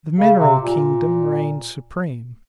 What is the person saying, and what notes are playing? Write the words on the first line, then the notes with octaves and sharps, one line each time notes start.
The mineral kingdom reigned supreme.
C#3
C3
A#2